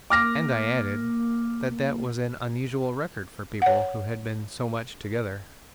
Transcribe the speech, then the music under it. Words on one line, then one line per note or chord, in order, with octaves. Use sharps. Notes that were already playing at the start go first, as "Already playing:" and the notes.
And I added, that that was an unusual record for people who had been so much together.
A#3 D6 F6 A#6
C#5 F#5